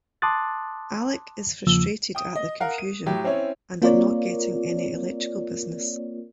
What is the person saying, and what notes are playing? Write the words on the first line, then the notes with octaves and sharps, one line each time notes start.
Alec is frustrated at the confusion and at not getting any electrical business.
A5 C6 D6 D#6 F#6 A6
E2 C#3 F3 A#3 E6
G5 D#6
D#5
A#4 F5 F#5
D#7
A2 F#3 G4
C4 C#4 E4 C#5
A#3 C4 F4 A#4 C#5 D5